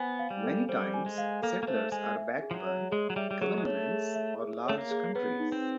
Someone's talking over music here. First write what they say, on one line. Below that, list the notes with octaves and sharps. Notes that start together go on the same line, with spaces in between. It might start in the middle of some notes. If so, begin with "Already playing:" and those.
Many times settlers are backed by governments or large countries.
Already playing: B3 C5 G#5
F5
G3
A4
G3 C5
G#5
G#3
F5
A#3 A4
A#3
A3 C5
G#3 G#5
E5
G#4
F3
F#3
C#5
G#3 G#4
F#3
G3 E5
G3
F#3 G#4
G#3
A3 C#5
G#4
E5
G#4
A3 C#5
A#3
G#4
B3 B4
D#4
C4